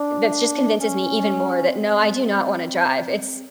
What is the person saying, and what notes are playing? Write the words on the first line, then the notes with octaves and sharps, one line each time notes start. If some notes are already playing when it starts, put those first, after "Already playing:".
that's just convinces me even more that, no, I do not wanna drive. It's
Already playing: D4
C#4
C4